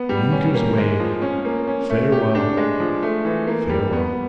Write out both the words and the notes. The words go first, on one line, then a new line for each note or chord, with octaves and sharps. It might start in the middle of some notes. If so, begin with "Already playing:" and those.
"The anchor's weighed, farewell, farewell!"
Already playing: B3
G3
C#4
A#3
G#3
F3
C#4
A#3
C#4
A3
G4
D4
G#3
F3
A3
E3
A#3
G3
B3